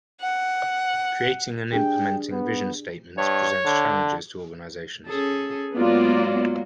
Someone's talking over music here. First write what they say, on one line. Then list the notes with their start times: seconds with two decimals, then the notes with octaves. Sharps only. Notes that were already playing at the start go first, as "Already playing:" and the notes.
Creating and implementing vision statements presents challenges to organizations.
0.21 F#5
1.73 D4 G4 G#4 G5
2.32 B3
3.18 G2 C#5
3.65 D3
5.06 C#4 G#4 A4
5.76 G#2 F#3 A#3 B3 F4 D5